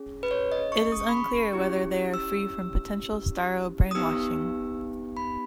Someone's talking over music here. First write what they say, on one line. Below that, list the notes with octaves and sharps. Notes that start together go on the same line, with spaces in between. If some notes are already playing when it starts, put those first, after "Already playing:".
It is unclear whether they are free from potential Starro brainwashing.
Already playing: C#4 G#4
B4
C#5
D#5
C#6
D#6
C#6
B5
C#6
C#4 E4 G4
E6
D#6
B3 D#4 G4 E6
B5